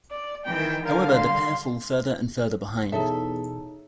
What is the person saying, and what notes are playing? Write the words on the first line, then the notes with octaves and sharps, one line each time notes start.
However, the pair fall further and further behind.
D5
D#3 E3 G5
D3 G3 A#4 F5
C6
E2 B2 D#4 G#4 A4 C#5 E5 A5